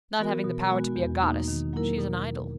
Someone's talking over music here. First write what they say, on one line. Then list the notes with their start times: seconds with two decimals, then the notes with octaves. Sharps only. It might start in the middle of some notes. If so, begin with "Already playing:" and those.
Not having the power to be a goddess, she is an idol.
0.19 E3 B3 F#4 A#4
0.44 B2
0.70 G#3 B3 F#4
0.96 E2
1.22 B2 A#3 D#4
1.48 D#3
1.73 F#3 A#3 E4 A#4
1.98 B2